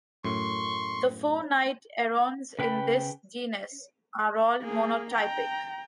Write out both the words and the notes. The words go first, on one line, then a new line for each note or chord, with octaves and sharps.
The four night herons in this genus are all monotypic.
F#2 A2 C6 C#6
C#3 B4 G5 B5
A#3 G#4
G5 A#5